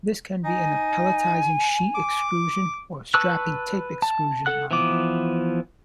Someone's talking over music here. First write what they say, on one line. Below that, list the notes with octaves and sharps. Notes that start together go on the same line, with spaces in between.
This can be in a pelletizing, sheet extrusion or strapping tape extrusion line.
D#4 G#5
D6
B4 A5 C#6 E6 F#6
A5
A4 F#5 F#6
E3 F3 B3 D6